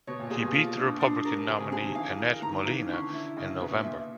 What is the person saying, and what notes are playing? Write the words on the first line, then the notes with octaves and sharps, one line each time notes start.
He beat the Republican nominee Annette Molina in November.
B2 C#5
A#2
A#2 G#4
B2
F4
D4
D4
A#4
C3 G#4
C#3
D3 G#4
D#3
E3 F5
A#4
D#3 A#5
E3 F5
D3 C#4
E4
C#3 D#5
B2 B4
A#2
E5